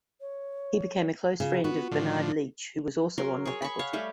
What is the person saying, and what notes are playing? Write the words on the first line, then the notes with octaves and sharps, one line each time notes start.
He became a close friend of Bernard Leach, who was also on the faculty.
C#5
C#3 F4
B3 F#4
A2 D3 F3
F#3 A#4 C6
G#4 C#5
B5 C#6
C#5 F5 F#5
G3 A3 G4